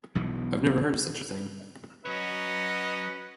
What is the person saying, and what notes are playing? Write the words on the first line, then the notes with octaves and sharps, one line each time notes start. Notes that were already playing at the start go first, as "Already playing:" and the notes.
I've never heard of such a thing.
B1 B2 E3 B3
F#3 C#4 B4 C#5 D#5